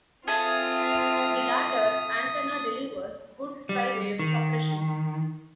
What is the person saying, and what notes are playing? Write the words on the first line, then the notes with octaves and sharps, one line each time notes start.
The latter antenna delivers good skywave suppression.
C4 F4 G#4 A4 E5 D#6
G3
D#3